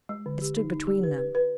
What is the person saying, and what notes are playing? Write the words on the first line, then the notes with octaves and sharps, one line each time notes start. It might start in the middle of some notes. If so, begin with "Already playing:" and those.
It stood between them.
G#3
D3
G4
D#4
D#4
G4
B4
B4
B4